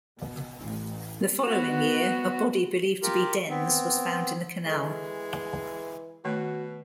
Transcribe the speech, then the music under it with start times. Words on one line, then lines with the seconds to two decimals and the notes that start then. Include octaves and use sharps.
The following year, a body believed to be Den's was found in the canal.
0.19 B2
0.65 A1
1.44 B3 F#4
3.02 F4 G4 A#4
3.49 B3 C4
4.66 E3 G#3 A4 D#5
6.25 B2 D#3 A3 F#4